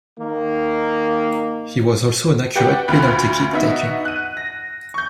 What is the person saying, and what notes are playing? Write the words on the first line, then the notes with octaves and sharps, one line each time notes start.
He was also an accurate penalty kick taker.
D#3 A#3
F#4 G4 B4 D5 F#5 G5
D2 F4 B5 F#6
B3 D#4 F#4 E5
F#6 D#7
A#6
C#6 G6